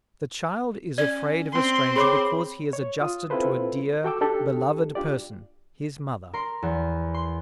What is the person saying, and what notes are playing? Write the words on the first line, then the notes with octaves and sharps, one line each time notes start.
The child is afraid of a stranger because he is adjusted to a dear, beloved person, his mother.
C#4 D5
C4 C6
G#4 C#5 B5 D6
C#5
F4 D#6
C4 E4 F4 A4 B4 C5
F#4 A4 G5 D6 E6
D4 D#4 G4 A4
D4 F4 G4 D5
A#4 C6
E2
C6